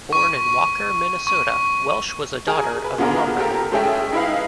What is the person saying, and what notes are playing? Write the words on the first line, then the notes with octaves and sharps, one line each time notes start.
Born in Walker, Minnesota, Welsh was a daughter of a lumberman.
C#6
C#6
G#4 A#4 G#5
B4
A#2 D3 B3 F4 G#4 A#4
G4 A4 A#4
G#3 A3 C#4 G#4 E5 G5
D#4 E4 B4 F5